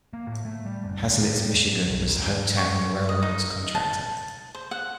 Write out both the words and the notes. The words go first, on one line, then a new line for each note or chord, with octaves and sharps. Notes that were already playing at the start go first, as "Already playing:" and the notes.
Haslett, Michigan was the hometown of the railroad's contractor.
A#3
A2
A3
G3
F#1
D2
A2
G3
E2
F#3
B1
D#2
C#6
D#5
D#4
A5
C5
F#5